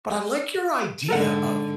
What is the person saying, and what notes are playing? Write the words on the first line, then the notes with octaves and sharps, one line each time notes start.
But I like your idea of
G#2 D3 A4 A#4 F#5